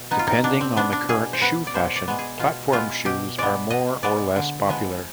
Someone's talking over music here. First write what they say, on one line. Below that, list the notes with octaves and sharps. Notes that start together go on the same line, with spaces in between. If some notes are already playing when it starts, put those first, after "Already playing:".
Depending on the current shoe fashion platform shoes are more or less popular.
Already playing: B2
B3 D#4
F4
D#4
B2 D4
C4
B3 D4
D4
B2 G#4
C5
B3 B4
D5
B2 C5
D5
G#3 B3
G#4
B2 F4
G#3 B3 F4
B2 G4
G#3 B3 D5
B2 D#5
G#3 B3 D5
D3
F3 G#3 B3